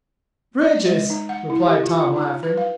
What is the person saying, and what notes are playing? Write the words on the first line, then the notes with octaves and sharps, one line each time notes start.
"Bridges," replied Tom, laughing.
D5
G#3
D#4
F#5
E4
G4
F4
F4
D#4
B4
F5